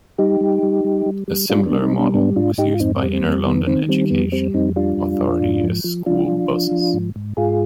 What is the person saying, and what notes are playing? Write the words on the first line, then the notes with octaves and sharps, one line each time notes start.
A similar model was used by the Inner London Education Authority as school buses.
G3 D#4 G4
G3
G3
G3
G3
G3
G3 D4 F4
B3 D4
G3
C4 D#4
G3
B3 D4
G#2 B3 D4
G#2 D4 F4
G#2 D#4 G4
F4
F2 C4 D#4
C4
G3
C4
F2 C4
D#3 B3
D#3 C4
G3 C4
F2 B3
G3 C4
F2 C4 D#4
G3 D4 F4
F2
F2
G#2
F3
F3
F3 D4 F4
F3
F3
F3
G#2
G#2
G#2 F4 G#4